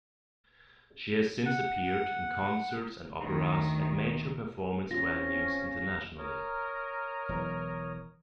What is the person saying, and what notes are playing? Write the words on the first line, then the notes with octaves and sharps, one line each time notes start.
She has since appeared in concerts and operas at major performance venues internationally.
F#5
D2 D#3
C4 C#4 F4 A#6
A#4 C#5 D#6
E1 E3 F#3